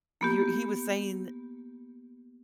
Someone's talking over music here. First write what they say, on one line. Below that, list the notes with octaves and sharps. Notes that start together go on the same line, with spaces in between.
you're he was saying
A#3 B3 G4